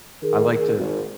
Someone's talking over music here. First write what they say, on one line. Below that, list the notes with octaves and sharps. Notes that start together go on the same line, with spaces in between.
I like to
D#3 G#4 A#4
G#1